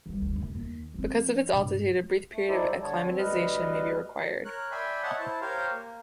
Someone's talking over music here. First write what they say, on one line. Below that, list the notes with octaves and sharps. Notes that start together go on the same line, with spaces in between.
Because of its altitude, a brief period of acclimatization may be required.
E3 G3
D2
F#2
D#2
F3 C4
G2 B2
A3
D#4 E4 A4 C5 D5
G3
D3 C#5 A5
C4
D2 G3 B4 D#5 F6
A#4 C#5 F#6
D5 E5 G5 G#5 B5 C6
C#5 D#5 E5 F#5 A5
E4 C5 A5
G4 A#4 C5 C#5 F5
A#3